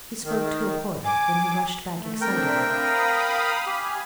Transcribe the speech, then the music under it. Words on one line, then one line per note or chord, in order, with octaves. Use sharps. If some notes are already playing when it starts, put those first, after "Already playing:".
He spoke to a porter; then he rushed back excitedly.
D#3
G#5 D6
A3
C4 D4 A#4 E5 G5
F5 B5 D#6
G4 G#5